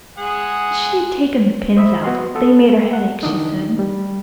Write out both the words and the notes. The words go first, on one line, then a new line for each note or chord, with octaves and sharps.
She had taken the pins out--they made her head ache, she said.
G#3 G#4 F#5
C5 D#5 E5 B5
B3 F#4 C6
B3 A4
F#5
D#3 E3 D4 D#4
G3